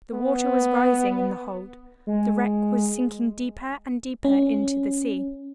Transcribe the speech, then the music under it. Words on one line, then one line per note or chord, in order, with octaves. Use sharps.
The water was rising in the hold; the wreck was sinking deeper and deeper into the sea.
B3
G#3
C#4